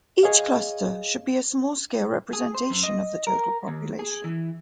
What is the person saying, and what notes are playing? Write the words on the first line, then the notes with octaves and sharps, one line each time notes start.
Each cluster should be a small-scale representation of the total population.
G#4 C#5 D#5 F5
G#4
C5
F#2
D#5
A#4
D#2
G#4
E3